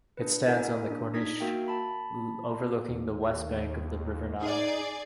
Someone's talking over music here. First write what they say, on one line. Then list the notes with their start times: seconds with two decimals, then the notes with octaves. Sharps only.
It stands on the corniche, overlooking the west bank of the River Nile.
0.17 D4 B4
0.46 E4 A#4 D#5 E5 G#5
0.89 A#3 D4
1.14 D#4 D#6 G#6 B6
1.40 A#3 F#4 A#4 E5 F5 G5
1.68 A5 B5
2.90 D#2
4.42 D#4 G#4 D5